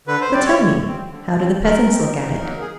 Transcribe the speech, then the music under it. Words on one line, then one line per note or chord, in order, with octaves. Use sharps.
But tell me, how do the peasants look at it?
D3 B4
C5
G3 C4 D5
C#5
D3
G3 C4
D3
G3 C4
D3 A#4
G3 C4
C#3
F#3 A#3 D#4
G#4